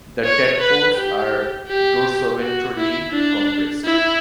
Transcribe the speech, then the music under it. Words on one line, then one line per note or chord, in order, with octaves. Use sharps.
The tadpoles are dorsoventrally compressed.
C#5
B4
G4
G4
F#4
E4
D4
E4